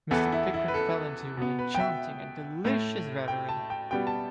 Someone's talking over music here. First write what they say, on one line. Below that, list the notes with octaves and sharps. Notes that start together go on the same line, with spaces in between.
Mr. Pickwick fell into an enchanting and delicious reverie.
E2 E3 B3 A4
E4
E4
B4
A4
B2 B3
B4
G5
E5
A2 A3
G5
A5
G5
B2 G3 B3 G5
A5